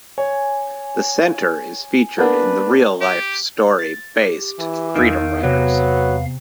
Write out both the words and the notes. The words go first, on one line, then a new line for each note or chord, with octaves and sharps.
The center is featured in the real-life-story-based Freedom Writers.
C#5 G#5
A#3 B3 D4 A#4 B4
G4
A6
G4
E3
E2 D#3 E5 F5
C3 F#3 B3